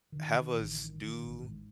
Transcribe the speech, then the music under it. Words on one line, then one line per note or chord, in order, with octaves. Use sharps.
have us do
D#3
D#3
A1
D#3
D#3
A1
G#2